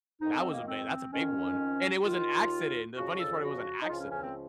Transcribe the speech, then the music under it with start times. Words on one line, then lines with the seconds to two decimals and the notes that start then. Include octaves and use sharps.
That was a big that's a big one. And it was an accident. The funniest part, it was an accident.
0.21 F2 D#3 D#4
0.37 C4
0.52 A#3
0.67 C4
1.13 F2 D#3 C#4
2.05 D#2 D#3 F4
2.96 F2 C#3 F3 F#4
3.10 F#4
3.20 A4
3.42 F#4
3.82 D#4
3.88 C#2 C#3 F3 F4
4.00 C#4
4.11 C#4
4.23 C4